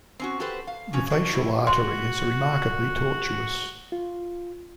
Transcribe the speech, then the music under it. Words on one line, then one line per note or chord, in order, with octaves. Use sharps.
The facial artery is remarkably tortuous.
C4 C#4 F#4
F#4 G4 A4 B4 C5
F5
F3 C#4 F#4
D4 F#4
E4 D5
F#4 C6
F4